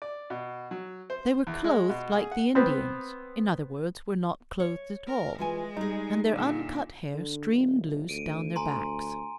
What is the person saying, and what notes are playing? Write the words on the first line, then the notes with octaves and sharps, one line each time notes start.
They were clothed like the Indians,--in other words, were not clothed at all,--and their uncut hair streamed loose down their backs.
D5
B2
F#3
C5
E2
G#3
B2
G#4
F#5
B3 C4
C#5
A#4
E3 G#3 F4 G#5
G3 D#4 G#4
A#2 D3
D3
D#1
D2 D7 D#7
D2 G#5 A#5 C6